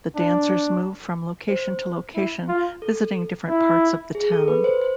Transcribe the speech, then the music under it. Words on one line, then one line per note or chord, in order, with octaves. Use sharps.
The dancers move from location to location, visiting different parts of the town.
D4
C5
E4
F4
A4
E4
G#4
A4
B4
C5
C5